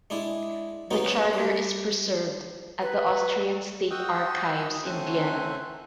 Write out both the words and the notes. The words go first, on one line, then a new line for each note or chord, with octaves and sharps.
The charter is preserved at the Austrian State Archives in Vienna.
G#3 D4 E4
F#3 G#3 B3 C4 D#4
G3
B4
F#4 D#5 F#5 G5 D#6 E6
A3 C4 C#4 F#5 G#5 F#6